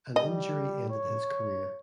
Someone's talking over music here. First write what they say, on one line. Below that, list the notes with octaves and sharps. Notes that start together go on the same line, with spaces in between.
An injury ended his career.
G3 D#5
C#5